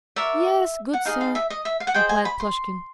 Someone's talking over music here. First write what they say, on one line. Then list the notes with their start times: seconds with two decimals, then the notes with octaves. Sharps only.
"Yes, good sir," replied Plushkin.
0.16 F#4 A#4 D5 E5
0.93 F#5
1.05 D#4 G#4 C5 D#5 F5
1.21 F5
1.35 E5
1.50 D#5
1.65 E5
1.80 F5
1.87 F#5
1.94 G#4 C5 D#5 G5
2.09 G#5
2.25 B5
2.40 C6